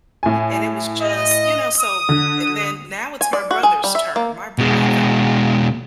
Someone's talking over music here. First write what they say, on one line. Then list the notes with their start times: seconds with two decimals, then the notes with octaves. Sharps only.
and it was just, you know so, and then now it's my brother's turn. My brother
0.23 A2 G#5
1.02 D#5
1.79 D#6
2.09 D3
3.21 G#5
3.33 D5
3.51 F#4
3.63 G#4
3.84 G3
3.95 E5
4.16 A#3
4.58 B2 G#3